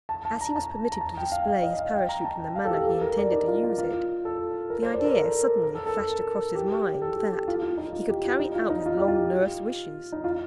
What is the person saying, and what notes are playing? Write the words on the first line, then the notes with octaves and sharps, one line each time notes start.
As he was permitted to display his Parachute in the manner he intended to use it, the idea suddenly flashed across his mind that, he could carry out his long-nursed wishes.
A5
A5
A#5
A5
A#5
A5
G5
F5
F5
D#5
F5
G5
A#5
A5
G5
F5
A4
G4
A4
A#4
D5
D#4
F4
F4
F4
A4
A#4
C5
D5
A4
A#4
A#4
A#4
A4
A4
A#4
G4
A4
G4
G4
F4
F4
D#4
F4
G4
F4
D#4
F4
D#4
F4
G4
F4
D#4
F4